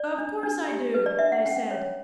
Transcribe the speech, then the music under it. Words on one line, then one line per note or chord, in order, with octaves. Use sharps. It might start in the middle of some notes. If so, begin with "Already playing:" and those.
"Of course I do," I said.
Already playing: D5
D4
D4
G4
B4
D5
D4 E5
F#5
C#4 G5
C#5